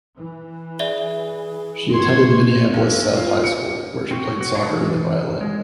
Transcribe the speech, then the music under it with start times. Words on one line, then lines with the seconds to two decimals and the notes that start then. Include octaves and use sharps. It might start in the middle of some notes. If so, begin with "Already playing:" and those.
She attended Minneapolis South High School, where she played soccer and the violin.
0.18 E3
0.79 G#4 D5 E5 G7
1.92 G1 B2 C6 C#6 G#6
2.74 B1
3.17 F4
3.44 C#7
4.11 C4 F#4
4.41 F#4
4.55 A3 D4 D#4 C5 C#5
4.70 E3
5.41 G#3